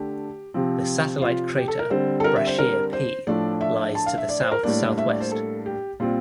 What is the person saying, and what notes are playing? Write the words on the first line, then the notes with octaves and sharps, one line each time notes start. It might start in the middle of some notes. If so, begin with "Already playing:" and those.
The satellite crater Brashear P lies to the south-southwest.
Already playing: D3 A3 D4 G4
C3 F3 C4
F4
G4
A4
A#4
D3 G3 C4 C5
A4
A#4
E5
C5
A#4
C5
A2 F3 A3 D4 D5
E5
A5
F5
E5
D5
C5
A#4
A2 G3 A#3 D4 D5
E5
D5
C5
A4
G4
A#2 G3 C4 F4